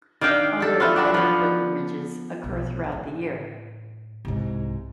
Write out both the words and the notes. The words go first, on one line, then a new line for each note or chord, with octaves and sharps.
Other, minor pilgrimages occur throughout the year.
D#3 D4 F5 G5
G4 A4
F4 F#4 B4 E5
D4 F#4 B4
F3 B3
B1
A2
C2 G#2